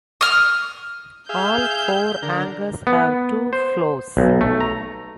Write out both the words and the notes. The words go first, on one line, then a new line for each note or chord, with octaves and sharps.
All four anchors have two floors.
D#6 F6
G#4 E5 F5 G6
D3 A#4
B3
C5
B1
A3
A#5